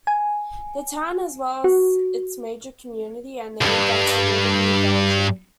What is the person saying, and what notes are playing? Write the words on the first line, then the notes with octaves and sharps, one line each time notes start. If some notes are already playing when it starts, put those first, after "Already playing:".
The town, as well as its major community, are named after Waterloo, Belgium.
G#5
F#4
C2 G2